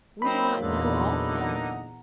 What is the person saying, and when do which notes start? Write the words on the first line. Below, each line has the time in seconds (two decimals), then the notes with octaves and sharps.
We do not know all things.
0.22 F#3 A#3 C4 D#4 B5 C6
0.61 E2 A#2 D3 D#4
1.41 F#5 A#5